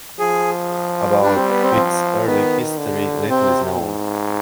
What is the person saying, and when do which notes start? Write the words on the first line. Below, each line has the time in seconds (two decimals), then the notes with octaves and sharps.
About its early history, little is known.
0.19 F3 G#4
1.23 G3 D4
1.36 C4
1.49 B3
1.62 C4
1.75 F3
2.27 D#3 B3
2.78 D3
3.30 C3 C4
3.82 G#2